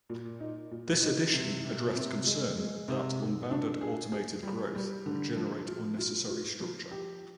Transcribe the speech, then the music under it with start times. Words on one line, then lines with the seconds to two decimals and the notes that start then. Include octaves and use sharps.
This addition addressed concern that unbounded automated growth would generate unnecessary structure.
0.09 A#2
0.40 D#4
0.71 A#2
1.03 D#4
1.33 C3
1.64 C3
1.95 C3
2.26 G#3
2.57 G#3
2.88 C3
3.19 G#2
3.51 D4
3.81 G#4
4.12 G#4
4.43 G3
4.75 G3
5.06 D3
5.37 F3
5.68 F4
5.98 F4
6.29 F4
6.60 F3
6.91 G4